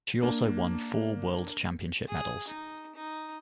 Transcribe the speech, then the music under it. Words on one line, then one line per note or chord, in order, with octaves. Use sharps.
She also won four World Championship medals.
A#3 D4
G#4
D#4
D#4